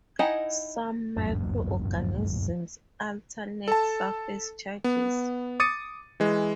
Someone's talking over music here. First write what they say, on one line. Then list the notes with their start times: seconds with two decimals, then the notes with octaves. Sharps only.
Some microorganisms alter net surface charges.
0.19 D#4 E4 D#5 F#5 G#5
1.17 D1 G1 F#2 A#2
3.68 A4 A5
4.84 B3
5.60 D6 D#6 A6 C#7 D#7
6.20 E3 G#3